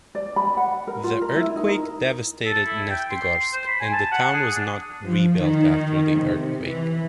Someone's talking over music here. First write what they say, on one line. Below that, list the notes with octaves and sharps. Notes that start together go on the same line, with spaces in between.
The earthquake devastated Neftegorsk, and the town was not rebuilt after the earthquake.
D5
B5
F#5
A#4
F4
A#4
E4
D#4
A#4
A4
E4
G5
C6
C5
B5
G#5
A5
F#5
G#4
D4
F3
D#3
C3
E3